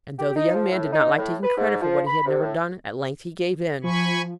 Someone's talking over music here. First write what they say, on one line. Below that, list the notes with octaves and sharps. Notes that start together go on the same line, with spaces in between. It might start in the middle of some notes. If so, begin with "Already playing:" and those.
And though the young man did not like taking credit for what he had never done, at length he gave in.
G4
D#4
F3
A2
D#4
A2
B4
G#2
F3
B5
C3
A2
F3 G#5 B5 C#6